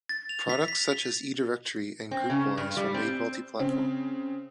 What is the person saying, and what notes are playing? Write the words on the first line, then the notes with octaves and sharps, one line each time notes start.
Products such as eDirectory and GroupWise were made multi-platform.
A6
F7
B6
B6
F7
C4
C#3
G2
G3
C4
C#3 C4